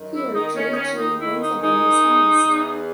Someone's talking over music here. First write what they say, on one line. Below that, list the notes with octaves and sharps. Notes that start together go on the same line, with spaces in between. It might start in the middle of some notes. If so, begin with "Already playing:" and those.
Here J. J. Winckelmann was housed.
Already playing: F#2 D#3
E4
D#3 D#4
C#4
D#4
D#2 C#4
D#4
D#3 E4
D#4
G#3 D#4
G#3
E2